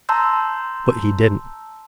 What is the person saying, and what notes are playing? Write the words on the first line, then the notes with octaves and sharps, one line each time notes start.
But he didn't.
A5 A#5 C6 E6 G6